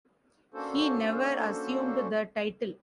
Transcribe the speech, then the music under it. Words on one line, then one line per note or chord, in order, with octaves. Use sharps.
He never assumed the title.
A#3 C#4 D4 F#4 A4 C5